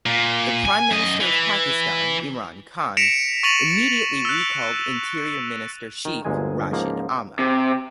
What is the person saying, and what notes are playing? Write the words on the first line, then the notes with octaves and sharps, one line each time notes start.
The Prime Minister of Pakistan Imran Khan immediately recalled Interior Minister Sheikh Rashid Ahmad.
A#2
G#5
F#2 D#5
E3
A#6 B6 C#7 D7 E7 F7
C#6 A6 A#6 D#7 F7 F#7
E6 F#6
D#3
G1 D2 A#2 G#3 G#5
C#2 G#2 F3 A#3
C3